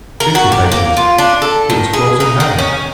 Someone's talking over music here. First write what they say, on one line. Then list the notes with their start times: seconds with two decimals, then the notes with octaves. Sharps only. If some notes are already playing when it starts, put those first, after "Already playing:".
Fifty paces--it was close at hand!
0.20 A#4
0.35 F#4
0.52 G4
0.72 A#3
0.97 F4
1.18 D4
1.42 A4
1.70 D#3
1.93 G#4
2.20 D#4
2.40 D#3
2.59 C#4